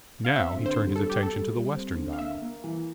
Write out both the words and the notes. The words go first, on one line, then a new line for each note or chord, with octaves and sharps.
Now he turned his attention to the western dial.
F5
C4 E5
D3
C5
G3
A4
G3
G4
G3 A4
G3
C4
D3
F5
A#3 E5
A#3
E3